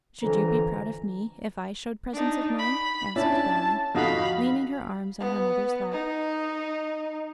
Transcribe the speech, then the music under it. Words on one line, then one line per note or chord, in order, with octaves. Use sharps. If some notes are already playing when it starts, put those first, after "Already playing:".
"Should you be proud of me if I showed presence of mind?" asked Dolly, leaning her arms on her mother's lap.
F2 D3 E3 A#5
D4 D#4
B5
C#4 D4 E4 A5
F2 D#4 F#4 F5 B5
B3
D#4